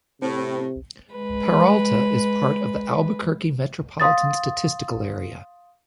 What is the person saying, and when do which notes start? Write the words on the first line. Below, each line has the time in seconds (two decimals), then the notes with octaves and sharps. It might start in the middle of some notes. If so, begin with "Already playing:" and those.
Peralta is part of the Albuquerque Metropolitan Statistical Area.
0.22 A2 C3 C4
1.10 G#3 B4
4.00 F5 C6 D#6 A6